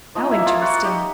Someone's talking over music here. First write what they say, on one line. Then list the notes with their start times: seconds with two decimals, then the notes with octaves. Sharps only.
How interesting!
0.15 F3 D#4 D#5
0.31 E4 E5
0.39 A#3
0.46 F4 F5
0.61 A#3 F#4 F#5
0.84 D#4 G4 G5